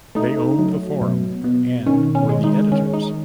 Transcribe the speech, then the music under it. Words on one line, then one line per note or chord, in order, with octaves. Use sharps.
They owned The Forum and were the editors.
A3 D#4
F#3
B2
B2
D#3 C#4
C#4
G#3
D#4
D#3 C#4
D#4